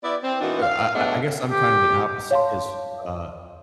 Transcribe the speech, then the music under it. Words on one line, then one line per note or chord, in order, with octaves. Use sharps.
uh, I I guess I'm kinda the opposite, 'cause, uh,
B3 E4 G4 D5
C4
A#2 E3 B3 D4 D#4 F#4
F5
F#3 G#3 A3 B3 D4
G4
C#5 F5 A5 C6